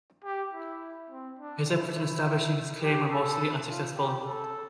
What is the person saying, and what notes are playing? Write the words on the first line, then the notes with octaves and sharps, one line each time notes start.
His efforts in establishing his claim were mostly unsuccessful.
G4
E4
C4
D4
E4
E4
G4
A4
F4
G4
A4